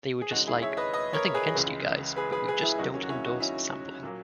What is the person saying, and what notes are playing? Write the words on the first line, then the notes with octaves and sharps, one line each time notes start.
They were just like, 'Nothing against you guys, but we just don't endorse sampling.
G#4
E1 D#2 C#3 G#3 D#4 F#4
E4 G#4
C#5 E5
B4 D#5
B4 D#5
A#4 C#5
G#4 B4
C#2 C#3 E3 G#3
G#4 B4
G#4 B4
G#4 B4
E4 G#4
D#2 C#3 F#3 A#3 D#4 F#4
C#4
F#4
C#4 E4
D#4 F#4
C#4 E4
A#2 F#3 A#3